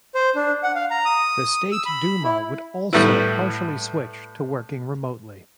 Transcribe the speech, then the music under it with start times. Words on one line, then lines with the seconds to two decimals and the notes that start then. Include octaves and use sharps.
The State Duma would also partially switch to working remotely.
0.15 C5
0.36 D4
0.63 F#5
0.75 F5
0.91 A#5
1.05 D#6
1.72 E6
1.86 B5
2.24 E4
2.93 A2 G3 A3 B3 E4